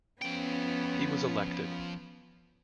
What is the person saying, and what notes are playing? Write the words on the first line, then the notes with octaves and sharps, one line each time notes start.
He was elected.
F3 B3 C#4 G5